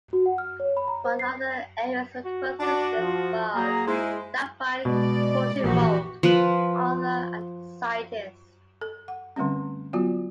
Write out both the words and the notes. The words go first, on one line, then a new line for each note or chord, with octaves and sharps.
One of the area's notable residents was Daphne Pochin Mould, author and scientist.
F#4
F#5
F6
C#5
B5
A#5
C5
C7
F#4
D4 F#4
F3
F#3 A#3 G#4 A#5
G#3 E4 C5
B2 G#3 D5
A#1 E3 F#4 G4
F3 B4
A4
F#5
D3 G3 A3 C4 C#4
F#3 B3 F4 F#4